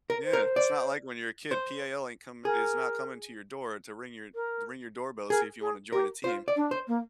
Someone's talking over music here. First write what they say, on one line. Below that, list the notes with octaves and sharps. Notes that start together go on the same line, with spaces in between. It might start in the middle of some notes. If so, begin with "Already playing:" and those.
Yeah, it's not like when you're a kid, PAL ain't come is not coming to your door to ring your to ring your doorbell, see if you wanna join a team.
A#4
C5
A#4
D5
C5
G#4 A#4
A#4
G#4 A#4
G#4
G4 A#4
F4 C5
D5
D4
C5
A#3